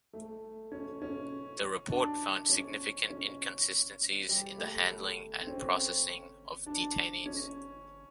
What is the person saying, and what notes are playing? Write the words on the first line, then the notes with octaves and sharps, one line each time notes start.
The Report found significant inconsistencies in the handling and processing of detainees.
A3
C#4
C#4
D4
C#4
C#4
G3
A3
C4
C#4
D4
C#4